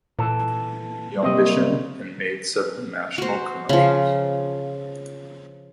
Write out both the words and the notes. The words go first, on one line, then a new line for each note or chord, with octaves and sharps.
He auditioned and made several national commercials.
A#2 E3 A4
C3 F#3 G3 A#3 C4 D#5
F#4 C5
C#3 F3